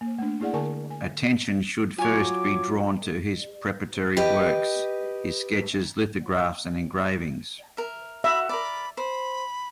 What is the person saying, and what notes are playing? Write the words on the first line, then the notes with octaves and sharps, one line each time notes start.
Attention should first be drawn to his preparatory works: his sketches, lithographs, and engravings.
A#3
A3 D4
A#3 E4 G#4 D5 F#5
D3 G#4 A#4 G#5 A5 C#6
G#5
F#3 F4 C#5 G#5 D6
G4 B4 D#5
A#4 E5
F#4 E5 F#5 B5
A#4 D5 B5
C5 B5